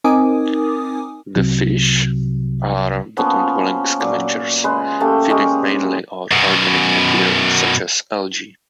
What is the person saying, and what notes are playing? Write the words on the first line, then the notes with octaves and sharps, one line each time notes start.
The fish are bottom-dwelling scavengers, feeding mainly on organic material such as algae.
C4 D#4 A#4 G#5 D6 D#6
C2 C3 F#3
F3 A#3 B3 C#4
A#2 F#3 D6
C#3 G#3 B4 C6
A3 A#3 C#4 G4
G#3 G4 G#4 A#4
F#2 B2